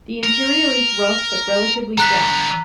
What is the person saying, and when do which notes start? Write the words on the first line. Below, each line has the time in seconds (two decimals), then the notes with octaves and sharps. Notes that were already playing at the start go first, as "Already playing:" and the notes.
The interior is rough but relatively flat.
0.24 A#4
1.98 D3 G3 A#5 F#6 B6